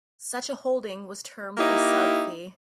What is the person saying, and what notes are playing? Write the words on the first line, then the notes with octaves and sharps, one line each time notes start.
Such a holding was termed a sub-fee.
A#3 D#4 E4 G4